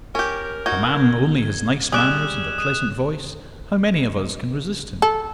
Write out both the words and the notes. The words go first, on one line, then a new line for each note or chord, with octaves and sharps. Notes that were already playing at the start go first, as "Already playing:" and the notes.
If a man only has nice manners and a pleasant voice, how many of us can resist him?
C#4 G4 A#4
D#4 F#4 G#6 G7
G3 G#3 D5 D#6 F#6 E7
D#6 E7
A4